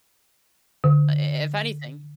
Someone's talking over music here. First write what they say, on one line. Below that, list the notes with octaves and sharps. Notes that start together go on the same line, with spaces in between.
I if anything.
D3